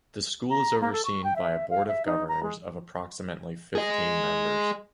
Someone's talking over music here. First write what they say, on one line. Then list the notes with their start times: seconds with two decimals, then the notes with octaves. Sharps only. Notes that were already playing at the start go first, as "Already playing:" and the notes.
The school is overseen by a Board of Governors of approximately fifteen members.
0.50 A#5
0.81 A#3
0.93 A4
1.05 C#6
1.24 G5
1.36 E5
1.70 F5
1.88 E5
2.06 D#4
2.28 A#5
2.43 G#3
3.75 G#4 D#5